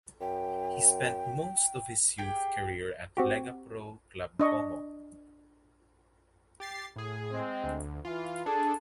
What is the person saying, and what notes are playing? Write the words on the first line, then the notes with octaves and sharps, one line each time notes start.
He spent most of his youth career at Lega Pro club Como.
F#2 G5
G4 G#4 G5
C4 F#4 G4
D4 D#5 C#6
G4 A6 C7
A2 G#4
G#3 C4
D2
E3 F4
D4 G#4 A4 A5